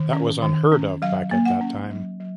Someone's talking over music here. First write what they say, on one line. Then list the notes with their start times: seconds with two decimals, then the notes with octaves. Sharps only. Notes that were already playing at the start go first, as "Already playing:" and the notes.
That was unheard of back at the time.
Already playing: D#3
0.13 C#4
0.42 D#3
0.72 C#4
1.02 F#3 F5
1.31 A#3
1.45 F#5
1.61 C#4
1.90 F#3
2.20 F#3